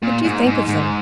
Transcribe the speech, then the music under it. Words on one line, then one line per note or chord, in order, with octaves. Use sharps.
What do you think of them?
A#2
G#2
G#2
G#2